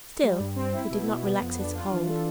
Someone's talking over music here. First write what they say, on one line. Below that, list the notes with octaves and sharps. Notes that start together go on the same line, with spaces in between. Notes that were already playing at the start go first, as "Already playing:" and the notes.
Still he did not relax his hold.
G3
G2
C4
E4
B2
B2
B3
F2
D4
F4
E3
A4